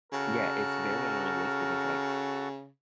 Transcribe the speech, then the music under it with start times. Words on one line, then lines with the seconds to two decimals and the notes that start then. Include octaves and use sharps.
Yeah, it's very unrealistic. It's, like,
0.13 C#3 F#4 A4 A#4